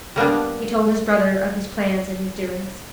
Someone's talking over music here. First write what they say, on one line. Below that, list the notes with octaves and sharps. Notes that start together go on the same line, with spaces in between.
He told his brother of his plans and his doings.
G3 A#3 B3 D4